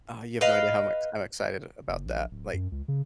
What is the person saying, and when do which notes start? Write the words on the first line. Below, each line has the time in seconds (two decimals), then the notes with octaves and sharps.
Uh, you have no idea how I'm ex I'm excited about that. Like
0.41 B4 D#5 F5
1.88 F#1
2.05 A#1
2.31 D1
2.53 F#2
2.72 C#2
2.88 C#3